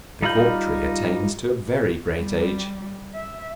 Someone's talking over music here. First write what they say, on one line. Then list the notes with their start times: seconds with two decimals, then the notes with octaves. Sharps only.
The Cork Tree attains to a very great age.
0.22 G3 D#4 F4 B5 G6
2.19 G3
3.15 E5